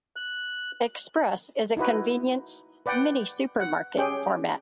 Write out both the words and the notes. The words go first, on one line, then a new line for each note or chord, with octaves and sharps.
Express is a convenience "mini-supermarket" format.
F#6
D#4 E4 F#4 B4
B4 D5 F#5 G5
F#5
C#4 G4 G#4 G5